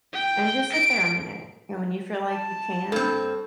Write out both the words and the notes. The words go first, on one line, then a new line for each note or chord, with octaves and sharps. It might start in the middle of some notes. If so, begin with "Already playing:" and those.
and just sit there a minute, and when you feel like you can,
G5
D7
A5
G2 C4 A4